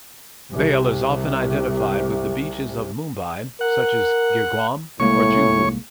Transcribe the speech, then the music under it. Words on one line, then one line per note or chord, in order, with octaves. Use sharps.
Bhel is often identified with the beaches of Mumbai, such as Girguam or Juhu.
C2 C3
A#4 F#5
C2 A2 G#3 A#3 C#5 C#6